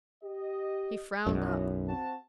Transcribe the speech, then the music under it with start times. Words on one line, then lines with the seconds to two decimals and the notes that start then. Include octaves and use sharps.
He frowned up.
0.24 G4 D#5
1.27 B1 F#2 E4 F#4 D#5
1.88 C4 F#4 A5